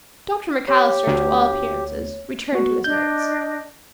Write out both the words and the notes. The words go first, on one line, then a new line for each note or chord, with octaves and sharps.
Dr. McAllister, to all appearances, returned to his notes.
G4 C#5
D2
B3 F#4
D4 D#5 G6